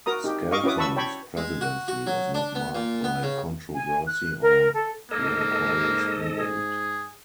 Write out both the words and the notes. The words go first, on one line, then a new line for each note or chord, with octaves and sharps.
Skelton’s presidency was not marked by controversy or rancorous debate.
F#4 A#4 A#5 D#6
D#4 G4
D#5 F5 C#6 D6
C#4 E4 F#4 B4 D6 D#6
B4 A5 B5 C#6 E6
C#5 G5 A5 B5 C#6
G#3
F#4
F#4
F#3
D4
B3
A#2
B3
C#3
G#5
F#6
A#4
A4
G#2 A#3 A4 D#5
G#4